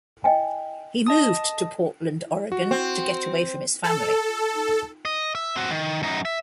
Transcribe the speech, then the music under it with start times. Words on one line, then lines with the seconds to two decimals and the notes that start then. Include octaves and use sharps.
He moved to Portland, Oregon, to get away from his family.
0.24 D#5 G5 G#5
1.07 D#5 A5 D#6
2.52 F#4
2.71 C4
3.84 A4
5.05 D#5
5.35 E5
5.56 C4 F#4
5.71 D#3
6.03 F#2 D#4
6.25 E5